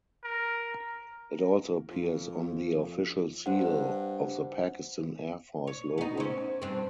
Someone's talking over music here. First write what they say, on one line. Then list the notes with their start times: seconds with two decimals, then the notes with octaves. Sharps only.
It also appears on the official seal of the Pakistan Air Force logo.
0.24 A#4
1.91 F2
3.46 G2 C5 F#5
5.67 C#5
5.98 B3 D#4
6.17 C4 C#4
6.62 G2 C4